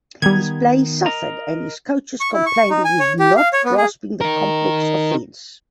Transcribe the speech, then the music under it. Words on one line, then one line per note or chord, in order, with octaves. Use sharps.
His play suffered and his coaches complained he was not grasping the complex offense.
D#3 G3 B3 D#4 G#6
A#4 D#5 A#5
C#6
E4
C#6
D#4
G#5
C#5
G4
F5
C#5
B3
G#4
D#4 A#4